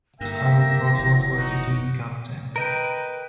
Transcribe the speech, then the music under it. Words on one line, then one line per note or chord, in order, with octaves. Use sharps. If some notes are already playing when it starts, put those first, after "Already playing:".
Harry Crawford was the team captain.
G2 D3 A#3 E5 G5 A#6
F#1 E3 F#3
D#4 F#4
A#4 B4 D#5 G5